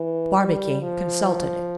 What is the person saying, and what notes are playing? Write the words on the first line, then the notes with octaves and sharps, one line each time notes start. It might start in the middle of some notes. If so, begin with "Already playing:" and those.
Barbicane consulted it.
Already playing: E3
G3
F3